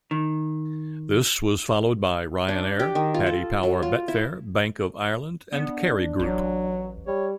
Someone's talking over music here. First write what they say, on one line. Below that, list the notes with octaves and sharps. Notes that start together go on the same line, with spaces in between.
This was followed Ryanair, Paddy Power Betfair, Bank of Ireland and Kerry Group.
D#3
D4
G4
D#3
F4
A4
F#3
F4
E4
B3 D4
A1 F#3
G3 C#5